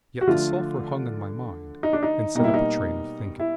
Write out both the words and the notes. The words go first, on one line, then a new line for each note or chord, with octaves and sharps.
Yet the sulphur hung in my mind, and set up a train of thinking.
F#4
D3 F3 A3 F4
D#4
D4
D#4
B2 G3 A#3 D#4
E4
D#4
E4